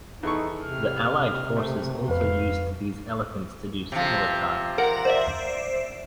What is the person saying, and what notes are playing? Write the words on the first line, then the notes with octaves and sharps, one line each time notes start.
The Allied forces also used these elephants to do similar tasks.
E2 D#4 A4 C#6
C3 F6
A3 C4
F2 B4 F5
C3 F3
A#4 F#5 A#5
C5 D5 E5